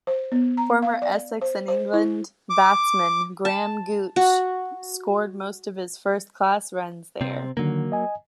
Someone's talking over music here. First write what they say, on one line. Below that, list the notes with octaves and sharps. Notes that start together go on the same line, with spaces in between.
Former Essex and England batsman Graham Gooch scored most of his first-class runs there.
C5
B3
A#5
F5
D5
C5
C5
E4
D6
A5
F#4
C3 C4
D3 D#3 F#3 A#3
D#5 G#5